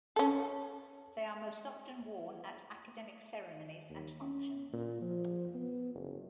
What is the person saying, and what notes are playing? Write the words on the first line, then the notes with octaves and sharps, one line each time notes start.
They are most often worn at academic ceremonies and functions.
C#4 A4
D#2
C#4
A#2
F3
B3
F#1